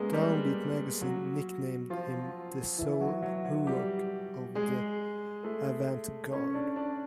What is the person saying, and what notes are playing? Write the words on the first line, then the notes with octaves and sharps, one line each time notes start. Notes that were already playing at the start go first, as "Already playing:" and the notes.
DownBeat Magazine nicknamed him The Sol Hurok of the avant garde.
Already playing: G#3 A#3 B3 C#4 G#4 A#4
G3 G4
F#3 F#4
F3 F4
E3 E4
F#3 F#4
F#3 F#4
F#3 F#4
G3 G4
G#3 G#4
A3 A4
C#4 C#5
D4 D5
D4 D5